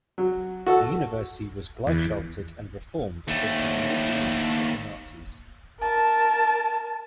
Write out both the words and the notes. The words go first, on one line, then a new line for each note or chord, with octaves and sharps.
The university was gleichschalted and reformed according to military needs of the Nazis.
F#3
F#4 A4
E2
D#2 A3
A#4 A5